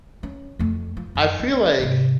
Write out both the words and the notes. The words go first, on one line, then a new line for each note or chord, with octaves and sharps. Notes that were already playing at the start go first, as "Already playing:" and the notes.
I feel like
C#4
F2 A3
F3
F#2
D2
G#2 C3